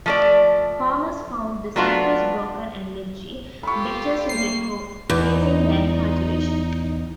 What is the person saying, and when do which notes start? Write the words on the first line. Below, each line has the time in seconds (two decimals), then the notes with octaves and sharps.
Farmers found the surface broken and ledgy, better suited for grazing than cultivation.
0.06 F3 A3 D5
1.76 F#3 A3 B3 D4 F4 F#4
3.63 F4 G4 A4 B5 C#6
4.29 A3 A#3 C7
5.10 E2 D#4